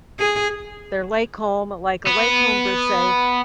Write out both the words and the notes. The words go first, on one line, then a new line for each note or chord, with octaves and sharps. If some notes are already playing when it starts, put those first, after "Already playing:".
their lake home like a lake home per se,
G#4
B3